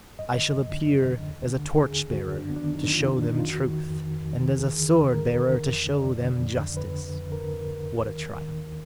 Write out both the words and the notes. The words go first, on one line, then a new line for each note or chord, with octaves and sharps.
"I shall appear as a torch-bearer, to show them truth; and as a sword-bearer, to show them justice!" What a triumph!
F#2 D#5
D3
F#2
D3
F#2
D3
D#2
D3
D#2
D3 G#4
D#2
F#4
D3
F#2 D4
B3
D#3 D4
F#2 D#4
D#3 F4
F#2
D4
D#3 D#4
F4
F2 F#4
D#3
F2
D#3
F2
D#3
D#2 G#4
D3
D#2
D3 A#4
D#2
D3
F2
D3
D5
F2
D3
F2
D3
F2 B4
D3
F2
D3 A#4
F2
D3
D#2
D#3
D#2
D#3
D#2